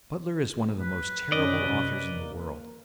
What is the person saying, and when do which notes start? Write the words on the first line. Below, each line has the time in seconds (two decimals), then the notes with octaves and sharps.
Butler is one of the most terrible authors in the world.
0.79 B4
1.32 F#2 C3 C#4 D5 D#5
1.91 A#3